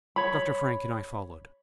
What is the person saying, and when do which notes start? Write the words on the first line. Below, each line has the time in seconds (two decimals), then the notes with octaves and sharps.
Dr. Frank and I followed.
0.16 C#5 B5